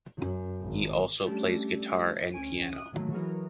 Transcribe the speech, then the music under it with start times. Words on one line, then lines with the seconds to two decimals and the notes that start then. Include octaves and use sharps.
He also plays guitar and piano.
0.18 F#2
0.61 G#1
1.26 G3 A3 C#4 D4 G4 A4
2.32 D2 C#4 G#5 D7 D#7
2.73 D#6 F#6 D#7
2.92 A2 D#3 F#3 A3 A#3
3.10 E3 F#3 F#4 G#4 A#4